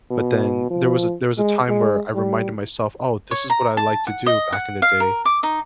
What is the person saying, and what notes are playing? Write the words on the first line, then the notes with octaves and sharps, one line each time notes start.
but then there was a there was a time where I reminded myself, "Oh, this is what I liked to do back in the day,
B2
F3
G#3
G#3
G3
C#5
A#5
A5
F#5
D#5
F#5
F5
A#4
D6
D#4